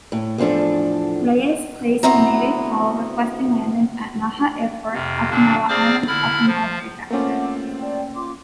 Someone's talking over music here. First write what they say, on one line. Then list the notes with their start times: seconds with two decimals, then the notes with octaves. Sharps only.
Reyes placed the Mayday call, requesting landing at Naha Airport, Okinawa Island, Okinawa Prefecture.
0.12 A2
0.38 E2 A2 F3 D4 A4
2.03 D2 B3 C4 E4 A#5
4.94 F2 C3
5.30 A#2 D3 A#3 D4
5.69 C4 G#4 C5 D5 D6 F6
6.08 D3 E4 B5 F6
6.47 F3
7.11 A3 A#3 C4 C#4 F4 E5 F#5 D6
7.80 D5 G5
8.15 F4 C6 D6